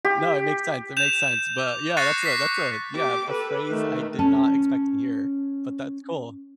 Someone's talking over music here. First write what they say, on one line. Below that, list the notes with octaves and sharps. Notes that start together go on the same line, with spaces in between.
No it makes sense, it makes sense, but, yeah, that's a that's a Yeah, a phrase I did not expect to hear, but that's cool.
G4
G6 E7 F7
D6
C#6 F#6 A6 A#6 C7 C#7
B6 C7
G4 D6
A4 B4
D#3 A3
C#4 A5